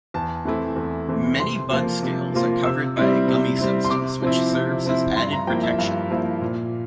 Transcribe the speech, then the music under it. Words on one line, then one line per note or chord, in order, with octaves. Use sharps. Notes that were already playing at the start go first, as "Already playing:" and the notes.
Many bud scales are covered by a gummy substance which serves as added protection.
E2 A5
E3 A3 C4 E4
E2
E3 A3 C4 E4
C3 C6
F3 A#3 F4
C3
F3 A#3 F4
C3 E6
G3 C4 E4
C3
G3 C4 E4
C6
C3 D6
F3 C4 E4
C3
F3 C4 E4
G2 C6
A#5
F3 A#3 E4 G5
E5
G2 F5
F3 A#3 E4
A#2